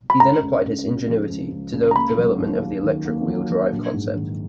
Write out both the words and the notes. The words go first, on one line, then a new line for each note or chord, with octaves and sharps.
He then applied his ingenuity to the development of the electric wheel drive concept.
B5
C#2 A#5
C#2
C#2
C#2
F3
C#2
C#2
C#2
A#5
A#3 B5
F#3
D#2
A#3
D#3
A#3
F#3
F#3
A#1
G#2
D#3